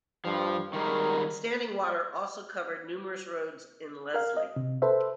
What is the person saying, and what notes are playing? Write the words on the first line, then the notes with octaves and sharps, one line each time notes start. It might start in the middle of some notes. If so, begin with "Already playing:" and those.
Standing water also covered numerous roads in Leslie.
G2 F3
D#3 G3 G#3 A#4
A#4 F5
D#5
C3
A4 B4 C5 E5